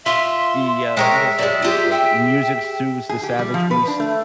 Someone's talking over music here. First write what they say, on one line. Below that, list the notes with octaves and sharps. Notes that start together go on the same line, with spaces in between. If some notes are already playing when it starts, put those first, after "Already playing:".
the, uh, what is that, the expression? The "music soothes the savage beast?"
F4 E5 C6
G#3 A#4 C#5 G5
F#3 G#3 D5
F4 G4 G#4
E5 G5
G#4
G4
G3
F3
B4
D4
A3